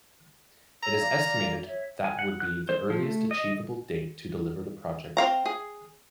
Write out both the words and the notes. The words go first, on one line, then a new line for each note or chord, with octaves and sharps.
It is estimated that would be the earliest achievable date to deliver the project.
C#5 A#5 E6
D5 F5
C#5 E5
G#5
F#5
F#6
C5
F3
A3
D#5
C4 F5 A#5
G#4